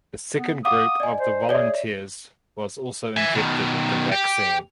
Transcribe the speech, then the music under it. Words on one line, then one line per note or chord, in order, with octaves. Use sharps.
The second group of the volunteers was also injected with the vaccine.
B3
F5 F#5 D6 D#6
D5 D#5 G#5
C5
G#4 C#5 D5 E5
E5 G#5
B2 D#3
G4